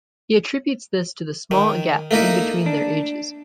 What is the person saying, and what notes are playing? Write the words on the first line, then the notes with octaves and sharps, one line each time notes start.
He attributes this to the small gap in between their ages.
D#3
A3 A#3 D#4 E4
D4